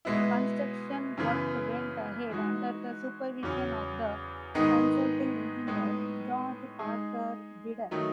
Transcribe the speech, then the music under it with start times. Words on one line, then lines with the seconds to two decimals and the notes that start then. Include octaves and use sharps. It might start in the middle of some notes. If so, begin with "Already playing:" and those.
Construction work went ahead under the supervision of the Consulting Engineer, George Parker Bidder.
0.05 B2 G#3 B3 E4
1.17 F#2 C#3 E3 B3
2.30 E3 G#3 D#4 F#4
3.43 E2 C#3 F#3 C#4
4.54 G#2 D#3 G#3 B3 D#4
5.67 A2 G#3 B3 D#4
6.79 G#3 D#4 G#4
7.91 D#3 F#3 A3 D#4